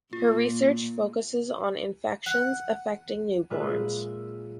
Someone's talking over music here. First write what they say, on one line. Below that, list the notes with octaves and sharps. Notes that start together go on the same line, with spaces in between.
Her research focuses on infections affecting newborns.
A#2 F4
F#5
A#2 G#3 F4 B4 E5 F#6